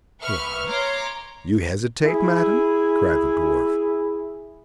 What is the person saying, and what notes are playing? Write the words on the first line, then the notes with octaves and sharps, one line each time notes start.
"What! you hesitate, madam," cried the Dwarf.
B4 E5 C#6 F6
C#5 A#5 C6 D6
E4 G#4